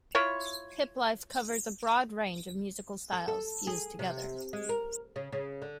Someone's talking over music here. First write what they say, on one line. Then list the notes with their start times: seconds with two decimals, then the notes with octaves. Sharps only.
Hiplife covers a broad range of musical styles fused together.
0.15 E4 F4 C#5
3.12 A4
3.28 A4
3.67 G#4
3.99 C3
4.53 G#3
4.69 A#4
5.16 C#3
5.32 C#3
5.62 D3